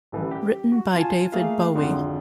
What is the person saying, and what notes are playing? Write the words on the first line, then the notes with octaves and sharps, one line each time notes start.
Written by David Bowie.
A1 E3 G3
G4
F#4
F4 G#5 A5
A3 A#3 G#4 A#4 F5
G#1 F2 D3 E4 C6